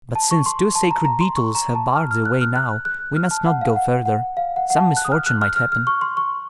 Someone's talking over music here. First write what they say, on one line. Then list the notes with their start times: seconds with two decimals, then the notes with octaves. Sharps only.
"But since two sacred beetles have barred the way now, we must not go farther; some misfortune might happen."
0.15 A5
0.31 C#6
0.46 C6
0.75 A5
0.91 A#5
1.05 A#5
1.21 C6
1.36 C#6
1.55 A#5
1.75 A5
1.96 F6
2.11 F6
2.25 F#6
2.41 F6
2.56 F#6
2.85 F#6
3.16 F6
3.31 A5
3.46 F#5
3.61 F5
3.76 F#5
4.06 F#5
4.37 F5
4.56 F#5
4.70 F#5
4.77 A5
4.97 F#6
5.05 D#6
5.12 F6
5.26 F#6
5.41 F6
5.56 F6
5.72 F6
5.87 C#6
6.01 C6
6.17 C#6